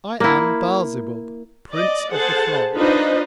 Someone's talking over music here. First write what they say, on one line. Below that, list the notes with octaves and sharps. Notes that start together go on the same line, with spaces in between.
I am Baal-Zebub, Prince of the Fly.
A#3 E4
D5 D#5
G#4 A4 C5 F#5 A5
D4 D#4 F4 B4 C5 D#5